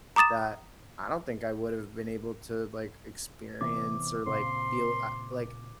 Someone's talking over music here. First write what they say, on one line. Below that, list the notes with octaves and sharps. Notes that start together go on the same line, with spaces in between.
that I don't think I would've been able to, like, experience or, like, feel, uh like,
A#5 D6 D#6 A6 E7
C3 E3 B3 D6
A#2 C#3 C4 C6